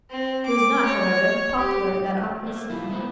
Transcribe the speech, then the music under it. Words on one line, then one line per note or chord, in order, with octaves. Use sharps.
He was not, however, popular in that office.
C4
D6
C#5
G4
A3 A#3
G3 E4 F4
G#3 B3 F#4 B4 C5